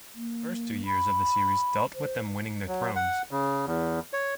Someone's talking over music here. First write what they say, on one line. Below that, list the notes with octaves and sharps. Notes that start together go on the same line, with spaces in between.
The first two years of the series dealt with them winning their thrones.
A#3
B5
C5
F#3
F#5
C#3
E2
C#5